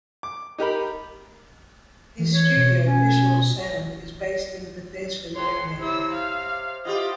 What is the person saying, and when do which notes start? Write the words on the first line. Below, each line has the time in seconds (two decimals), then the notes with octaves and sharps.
His studio, Visceral Sound, is based in Bethesda, Maryland.
0.23 D6
0.58 D#4 G4 A#4 B5
2.19 E3
2.33 C#5
2.56 B2
2.85 C#4
5.36 G#2 C#5 C6
5.79 C3 E4 E6
6.13 F5
6.85 E4 F4 G4 D#5